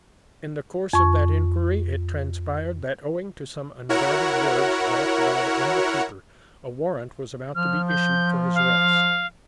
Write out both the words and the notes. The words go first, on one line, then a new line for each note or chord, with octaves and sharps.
In the course of that inquiry it transpired that, owing to some unguarded words dropped by the under-keeper, a warrant was about to be issued for his arrest.
F2 C#6
E4 F#4 A#4 C#5 F#5
F3 F6
G6
F5